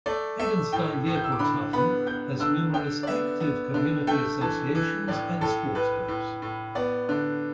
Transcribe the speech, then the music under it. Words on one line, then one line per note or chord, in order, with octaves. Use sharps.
Eggenstein-Leopoldshafen has numerous active community associations and sports clubs.
A3 D5
A3 E5
A2 G5
A2
G6
E6
D6
D3 B5
B3 B5
B3 G6
D3 E6
D3 G5
D5
B3 E5
B3
D3
A3 G5
E3 A5
E3
A2 D5
A2 A4
A2 B4
A2
A2
B3 D5
D3